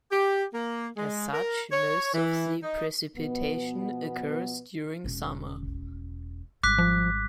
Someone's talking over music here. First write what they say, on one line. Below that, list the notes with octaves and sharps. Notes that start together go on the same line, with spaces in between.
As such, most of the precipitation occurs during summer.
G4
A#3
G#3
A#4
C#5
E3
D#4
B2 F3 B3
E1 C#4
G#1 G3 D6 F#6 B6
F3